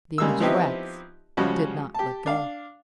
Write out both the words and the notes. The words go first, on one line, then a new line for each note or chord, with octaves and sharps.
The image of wax did not let go.
C#3 G3 G#3 A#3 E6
F3 B3 C4 D#4 E4 G4
C#3 F3 G3 G#3 C#4 F#4
G4 A5
D4 F5